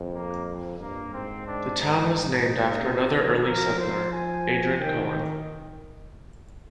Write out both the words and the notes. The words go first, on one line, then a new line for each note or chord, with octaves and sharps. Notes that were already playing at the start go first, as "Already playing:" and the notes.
The town was named after another early settler, Adrian Cullen.
Already playing: F2
A#3
G2 A#3
G#2 C4
D4
D#4
D#4
C3
D#3
F3 A#4
C5
G#5
D#3 G5